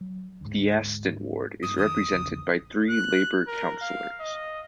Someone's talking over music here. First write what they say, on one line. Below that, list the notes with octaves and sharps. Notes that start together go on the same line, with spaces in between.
The Aston ward is represented by three Labour councillors.
F#3
D2 G#2
G2 D#6
F2 D#3 D#6
A#1 E2 C#3
F#6
A#4
F5
D#5